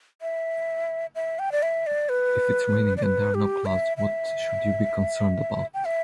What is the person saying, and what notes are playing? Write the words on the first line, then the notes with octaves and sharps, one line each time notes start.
If it's raining and there are no clouds, what should you be concerned about?
E5
E5
G5
D5
E5
D5
B4
D5
B4
G4
E5
E5
G5
E5